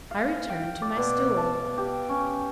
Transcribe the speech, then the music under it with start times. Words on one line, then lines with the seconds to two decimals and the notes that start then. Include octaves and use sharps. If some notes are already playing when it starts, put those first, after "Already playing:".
I returned to my stool.
0.11 F5
0.50 G5
0.82 D5
0.97 B2
1.37 A5
1.78 G4
2.09 C#4